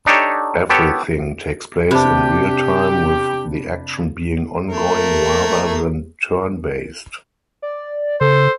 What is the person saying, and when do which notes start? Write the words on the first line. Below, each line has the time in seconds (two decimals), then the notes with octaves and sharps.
Everything takes place in real-time with the action being ongoing rather than turn-based.
0.06 D4 D#4 G4 A4 C#5
0.70 B3 G4 A4 C#5
1.91 C3 D4 G4 B4
4.68 A3 A#3 A#4
7.62 D5
8.21 C#3 A4 C5